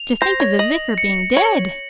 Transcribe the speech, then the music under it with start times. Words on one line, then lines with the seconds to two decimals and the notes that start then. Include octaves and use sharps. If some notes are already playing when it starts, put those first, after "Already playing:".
To think of the Vicar being dead!
Already playing: F7
0.21 C5 A#6
0.40 C#5
0.59 D#5 F#7
0.98 C#7
1.37 C#5 F#7